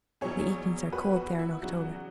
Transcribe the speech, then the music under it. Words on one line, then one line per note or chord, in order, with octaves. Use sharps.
The evenings are cold there in October.
E2 B2 F#3 G#4 C#5
F#4 B4
F#4
E4
E2 C#3 F#3 F#4